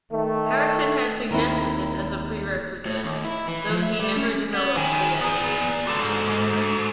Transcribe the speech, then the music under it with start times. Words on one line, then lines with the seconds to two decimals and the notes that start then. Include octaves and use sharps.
Harrison had suggested this as a prerequisite, though he never developed the idea.
0.11 D#3 A3
1.31 D#2 A#3 C4 E4
2.86 A2
3.05 D#2
3.25 E4
3.47 E3
3.70 F3
3.82 E5
3.99 G3
4.16 C#4
4.54 B3
4.76 D#3 E4 G#4
5.21 B3 G#4 D5 A#5
5.87 G3 G#3 F#4 A4
6.02 G#2